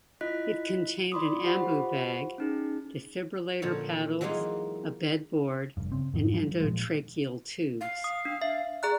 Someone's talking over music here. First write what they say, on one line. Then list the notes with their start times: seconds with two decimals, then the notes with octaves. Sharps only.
It contained an Ambu bag, defibrillator paddles, a bed board and endotracheal tubes.
0.21 E4 F4 D#5 F#6 B6
1.12 D5 B5 C6 D6 D#6
1.43 F4 G4 C5 F#5 B5
2.38 C#4 D#4 G#4
3.62 A#2 D3 F3 C#5
4.21 E3 F#3 G#3 A#3 D#4 F4
5.77 F1 G2
5.92 C#3 C4
6.14 F2 G#2 D#3
6.34 D#3 F3 G3
6.61 A#2 F3 G#3
7.81 F5
8.04 D#6
8.25 D4
8.42 E5
8.83 G#4 D5 A#5 F#6